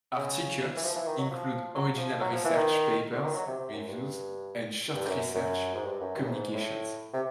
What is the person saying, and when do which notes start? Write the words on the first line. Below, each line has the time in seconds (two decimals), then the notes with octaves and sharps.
Articles include original research papers, reviews, and short research communications.
0.16 C#3
0.77 E3
0.84 F3
0.96 E3
1.07 D#3
1.18 F#3
1.30 F3
1.75 F#3
1.98 F3
2.21 F#3
2.33 F3
2.44 E3
2.55 D#3
3.12 D3
3.24 D#3
3.34 F#3
3.47 C3
3.58 C3
3.73 F#2
3.88 G2
4.94 G2
5.08 F#2
5.34 F#2
5.75 G#2
5.85 G2
6.00 F#2
6.16 G2
6.25 A2
6.31 G#2
6.54 A2
7.13 C3